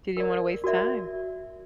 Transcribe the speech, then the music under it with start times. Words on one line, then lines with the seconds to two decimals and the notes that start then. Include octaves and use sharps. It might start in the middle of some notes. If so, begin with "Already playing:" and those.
She didn't wanna waste time.
0.17 A#4 D5
0.64 F#4 A#4 D5 E5